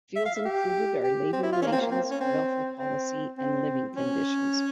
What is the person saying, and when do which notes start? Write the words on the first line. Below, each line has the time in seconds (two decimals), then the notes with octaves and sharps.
Fields included are labour relations, welfare policy, and living conditions.
0.16 E5
0.26 F5
0.36 E5
0.45 G4
1.04 G4
1.33 C4
1.43 E4
1.52 F4
1.62 C#4
1.67 A#3
1.72 C4
1.82 A#3
1.92 C4
2.11 C#4
2.21 C4
2.79 C4
3.38 C4
3.96 C#4